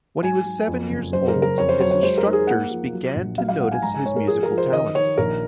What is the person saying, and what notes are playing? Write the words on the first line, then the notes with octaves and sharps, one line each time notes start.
When he was seven years old, his instructors began to notice his musical talents.
G#2 G#5
F#3
F2
F#1
F#2 C5
A#4
C#3
A#4
F2 C#5
C5
F#3 C#5
C#5
G#3 C5
A#4
D#4
G#4
A#3 F#5
F3
F#3
A#1
F#3 F5
F5
G#2 F#5
G#5
G#2 A#5
G#5
G#2 C#5
A#4
F3 G#4
A#4
F3
C5
D#3 D#5
D#3 C#5
A#1 A#4